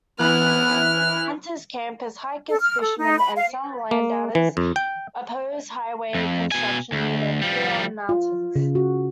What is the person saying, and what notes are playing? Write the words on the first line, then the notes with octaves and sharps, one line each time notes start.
Hunters, campers, hikers, fishermen and some landowners opposed highway construction near the Huron Mountains.
E3 B3 E4 F6 F#6
A4
F6
A4
D#4
B5
F5
A#3
E3
F2
G5
F2
B2 G#5
D2
F3 G3
F4
C#3
F#4